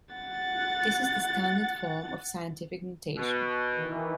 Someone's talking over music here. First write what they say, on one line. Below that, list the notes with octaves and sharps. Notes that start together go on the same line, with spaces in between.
This is the "standard form" of scientific notation.
F#5 A6
B2
D#3 E3